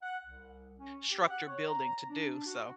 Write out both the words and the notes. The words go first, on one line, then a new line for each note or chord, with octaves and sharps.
structure building to do so.
F#5
C2
C#4
G4
F#5
C#5
A#5
D4
F#4